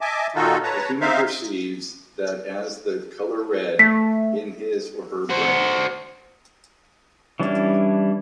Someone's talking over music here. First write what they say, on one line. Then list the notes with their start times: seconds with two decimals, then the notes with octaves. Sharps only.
A human perceives that as the color red in his or her brain.
0.01 D#5 E5 G#5 A5 D6
0.35 A#2 D#3 D#4 F4 F#4 A4
0.63 B4 C#5 A5 A#5
1.01 C4 D#4 C5 E5 F5
3.79 A3 B6
5.30 F#4 C5
7.40 E3 G3 C#4 D4 E4